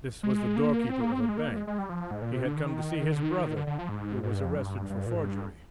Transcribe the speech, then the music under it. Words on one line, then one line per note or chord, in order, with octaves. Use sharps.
This was the doorkeeper of a bank; he had come to see his brother, who was arrested for forgery.
G#3
A#3
C4
A#3
C4
A#3
G#3
A#3
G#3
G#3
G3
F3
G#2
A#2
C3
D3
D#3
D3
D#3
D3
D3
F3
G#2
G#2
G2
F2
G2
G2
A#2
G#2
G2